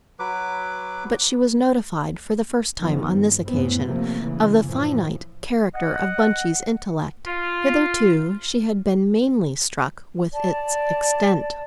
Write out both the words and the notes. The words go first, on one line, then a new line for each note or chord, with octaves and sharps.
But she was notified for the first time, on this occasion, of the finite character of Bunchie's intellect; hitherto she had been mainly struck with its extent.
F#3 B4 D6
G2 D#3 F3 B3
G2
F#2 A2 E3 B3 C4
C3 F3 F#3 A3 A#3
C#3 E3
F#2 A2 E3 F3
D#5 F#5
F4
D5 A5